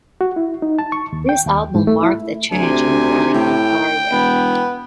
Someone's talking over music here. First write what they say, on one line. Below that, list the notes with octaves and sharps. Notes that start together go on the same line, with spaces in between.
This album marked a change in Branigan's career.
F#4
E4
D#4
A5
C#6
D#2
G5
D#2
G#2
A3
E4
D2 C3 G#5
A2 G5
E1 B3